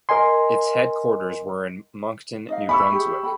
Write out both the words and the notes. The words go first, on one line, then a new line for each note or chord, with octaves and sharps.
Its headquarters were in Moncton, New Brunswick.
A#4 D#5 G#5 C6
D#4 D#5 F5
E5 B5 C#6 E6
G4 G#4
A4 G5 B5